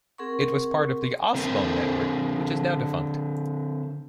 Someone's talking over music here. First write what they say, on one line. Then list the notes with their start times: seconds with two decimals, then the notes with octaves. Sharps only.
It was part of the AusBone network, which is now defunct.
0.18 C4 G#4 A#4 F#5 C6 C#6
1.35 D3 C4 A4 A#4